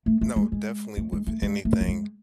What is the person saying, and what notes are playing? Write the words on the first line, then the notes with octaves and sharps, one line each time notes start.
No, definitely with anything,
A3
A3
G#3
G#3
A3
G#3
A3
G#3
A3
F3
G#3